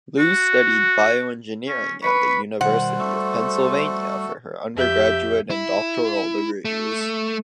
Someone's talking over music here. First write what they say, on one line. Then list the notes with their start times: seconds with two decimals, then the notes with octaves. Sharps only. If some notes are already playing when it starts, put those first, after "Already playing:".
Lu studied bioengineering at the University of Pennsylvania for her undergraduate and doctoral degrees.
0.19 F#4
1.67 C#4
2.03 B4 B5 C#6
2.61 B2 D#3 G3 C5 F#5
2.99 G3 A3 F#4 A4
4.74 F2 G4 E5 G6
5.51 E4
6.65 A3